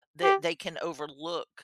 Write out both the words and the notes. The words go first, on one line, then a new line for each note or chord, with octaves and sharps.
that they can overlook,
G4